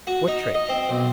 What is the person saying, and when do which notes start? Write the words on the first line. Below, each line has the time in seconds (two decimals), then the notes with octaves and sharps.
What trait?
0.07 F#4
0.28 D#4
0.55 D#5
0.69 C4
0.89 B1